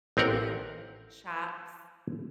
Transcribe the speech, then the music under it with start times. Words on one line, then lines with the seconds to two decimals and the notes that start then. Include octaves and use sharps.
And shops
0.17 A1 C4 G4 A#4 F#5